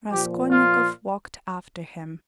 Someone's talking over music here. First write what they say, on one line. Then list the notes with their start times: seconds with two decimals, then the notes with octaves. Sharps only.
Raskolnikov walked after him.
0.10 A#2 F3 G4
0.51 F4